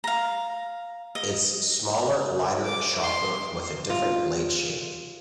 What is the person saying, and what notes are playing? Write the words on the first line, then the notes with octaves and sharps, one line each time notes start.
It's smaller lighter sharper with a different blade shape.
F5 A#5
D#5
D6
C6
F4